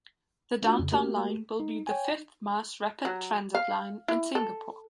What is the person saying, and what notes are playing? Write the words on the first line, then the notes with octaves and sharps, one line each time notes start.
The Downtown Line will be the fifth Mass Rapid Transit line in Singapore.
A3 D4 F4 F#4
F2 C#3
A3 A#3 F#4 G4 A#4
D#4
C#5 G5 G#5
F#3
F5
E4
A4